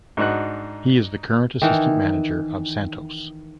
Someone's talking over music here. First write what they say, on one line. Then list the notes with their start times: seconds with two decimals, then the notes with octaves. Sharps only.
He is the current assistant manager of Santos.
0.17 G#2 D4 D#4 F#4 F#6
1.62 D#3 E3